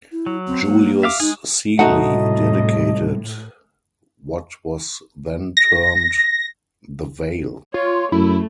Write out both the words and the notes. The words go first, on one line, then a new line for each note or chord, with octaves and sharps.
Julius Seely dedicated what was then termed "the Vale".
E4
F#3
C4
A#3
E5 F5 D6
G#3 D#4 G#4
C2 A2 A3 D#4 F#4 D#5 F#5
A#6
F4 C#5
F#2 A3 E4